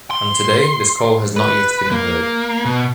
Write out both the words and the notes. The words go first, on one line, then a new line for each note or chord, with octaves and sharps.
And today, this call has not yet been heard.
C6
B4
A#3
B2